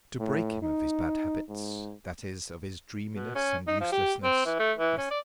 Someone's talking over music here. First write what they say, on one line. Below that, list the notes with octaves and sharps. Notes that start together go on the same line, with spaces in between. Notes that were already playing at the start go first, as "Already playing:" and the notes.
To break him of his bad habits--that is, of his dreaminess and uselessness--Mrs.
A2
D#4
G#2
B2
C#4
D#4
F3
G4
C4
E3
A3
E3
C#4
D5